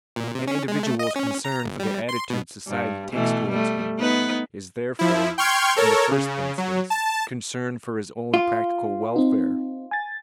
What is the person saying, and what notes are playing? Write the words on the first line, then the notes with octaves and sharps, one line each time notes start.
An individual's concern for the attitude society takes toward him is therefore in the first instance concern for his own practical welfare.
A#2
C3
C#4
G#3
A3
D#5
C#4
A#5
G1
G3
C6
B2
G2
B2 E3 A3
G3 A3
B3 D#4 B4
F3 E4
G5 C6 C#6 F6 G6 G#6
A4 A#4 C#5
C#3
F#3
A5
F4
C4 D#4
G#5 A6